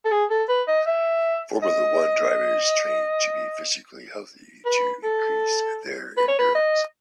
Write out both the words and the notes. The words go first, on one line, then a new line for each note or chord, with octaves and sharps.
Formula one drivers train to be physically healthy to increase their endurance.
A4
G#4
A4
B4
D#5
E5
D#5
B4
A4
B4
C#5
B4
D#5